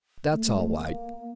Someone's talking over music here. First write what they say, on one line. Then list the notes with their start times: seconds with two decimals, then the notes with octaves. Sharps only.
That's all wight.
0.32 A3
0.45 G#3
0.58 A3
0.73 A#3